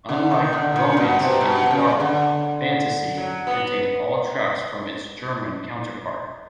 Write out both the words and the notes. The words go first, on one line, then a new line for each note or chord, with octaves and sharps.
Unlike "Romancing in the Dark", "Fantasy" contained all tracks from its German counterpart.
D3
D#3
D3
A#2
B2
C3
B2
C3
C#3
D3
F#3
B3